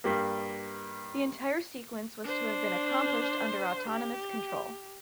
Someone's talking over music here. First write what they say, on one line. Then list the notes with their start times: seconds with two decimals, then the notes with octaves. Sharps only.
The entire sequence was to have been accomplished under autonomous control.
0.04 G2 G3 A#3
2.24 D4 C5
3.89 G4